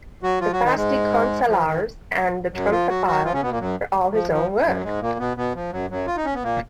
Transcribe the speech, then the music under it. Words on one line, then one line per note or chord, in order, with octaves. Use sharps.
The "Fasti Consulares" and "Triumphales" were all his own work.
F#3 F#4
F3 F4
F#3 F#4
D#3 D#4
G#2 G#3
F3
D#3
F#2 F#3
F3 F4
F#3 F#4
F#3 F#4
F3 F4
C#3 C#4
B2 B3
A#2 A#3
F#2 F#3
F3
F3
F#2 F#3
F#3
G#2 G#3
A#2 A#3
B2 B3
B2 B3
F3
F#2 F#3
F#2 F#3
F4
D#4
C#4
B3
A#2 A#3